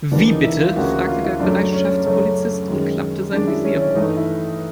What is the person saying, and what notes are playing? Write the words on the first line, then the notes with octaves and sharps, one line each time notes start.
"Wie bitte?", fragte der Bereitschaftspolizist und klappte sein Visier hoch.
D2 C#3 E3 G3 A#3 D4
D#4
E4
F4
D2 C#3 E3 G3 A#3 F#4
F#4
F4
E4
F#2 C#3 F#3 A3 D4
C#4
F#2 C#3 F#3 A3
F#2 D#3 G#3
F#2 D#3 G#3 D4
E4
C#4
C#4
G2 E3 A3 D#4
E4